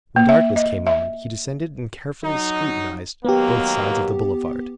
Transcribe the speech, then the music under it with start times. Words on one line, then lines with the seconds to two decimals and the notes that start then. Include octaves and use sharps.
When darkness came on, he descended and carefully scrutinized both sides of the boulevard.
0.16 A#3
0.29 E5
0.56 D#5
0.87 E5
2.23 F#3 D#4
3.25 D#2 F#3 A#3 B3 G4